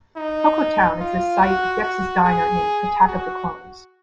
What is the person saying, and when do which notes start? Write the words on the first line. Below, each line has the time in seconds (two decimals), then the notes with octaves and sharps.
Coco Town is the site of Dex's Diner in "Attack of the Clones".
0.17 D#4
1.00 F4
1.42 F#4
1.83 F#4
2.24 G#4
3.08 F#4